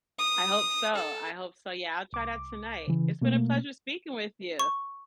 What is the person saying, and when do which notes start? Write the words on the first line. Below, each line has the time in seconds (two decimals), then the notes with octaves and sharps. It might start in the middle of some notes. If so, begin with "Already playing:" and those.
I hope so I hope so. Yeah, I'll try that tonight. It's been a pleasure speaking with you.
0.19 D#6
0.95 A4
2.13 C2 D6
2.88 C#3 E3
3.22 B2 A3 A#3
4.59 C#6